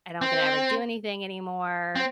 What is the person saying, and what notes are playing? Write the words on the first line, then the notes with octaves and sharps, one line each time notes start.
"I don't get to ever do anything anymore,"
C4
C4